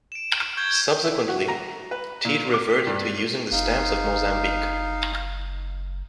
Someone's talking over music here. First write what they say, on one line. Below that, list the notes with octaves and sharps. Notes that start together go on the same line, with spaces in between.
Subsequently, Tete reverted to using the stamps of Mozambique.
D7 E7
C#6 G6 G#6 G7
E4
F#4
A#5
B4
A#2
D6
G2
F#1 D#4 F5